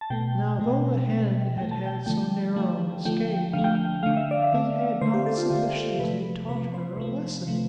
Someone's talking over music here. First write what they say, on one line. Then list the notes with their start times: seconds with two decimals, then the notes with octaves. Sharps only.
Now, though the Hen had had so narrow an escape, it had not sufficiently taught her a lesson.
0.01 A5
0.10 B2 A3 G5
0.59 B2 A3
1.09 B2 A3
1.57 B2 A3 G5
1.71 A5
1.86 G5
2.06 D3 F3 A3 G5
2.56 D3 F3 A3
3.05 D3 F3 A3 G5
3.53 D3 F3 A3 F5
3.64 G5
3.75 F5
4.03 D3 A3 F5
4.17 E5
4.31 D5
4.44 E5
4.53 D3 A3
5.01 D3 A3 C5
5.14 G4
5.26 A4
5.38 F4
5.50 D3 A3 G4
5.99 C3 F3 A3 B4
6.49 C3 F3 A3 B4
6.74 C5
6.97 C3 F3 A3
7.47 C3 F3 A3